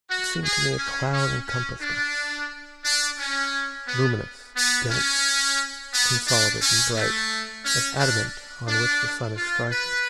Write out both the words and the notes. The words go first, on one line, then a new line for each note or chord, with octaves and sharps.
It seemed to me a cloud encompassed us, Luminous, dense, consolidate and bright As adamant on which the sun is striking.
F#4
G#4
C#4
C#4
C#4
D4
D4
C#4
B3
B3
C#4
B3
D4
C#4
A3
C#4
D4
D4
F4
B4